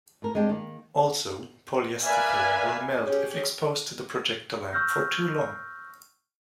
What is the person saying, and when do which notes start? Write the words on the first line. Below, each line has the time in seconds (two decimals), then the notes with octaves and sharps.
Also, polyester film will melt if exposed to the projector lamp for too long.
0.22 A2 A#4
0.35 G#3 C4 D4 G4
0.49 D#3 A#3
2.03 A#4 B4 D5 E5 F5 G#5
3.01 C#4 G4 G#4
4.73 C#6 E6 F6 G6 A#6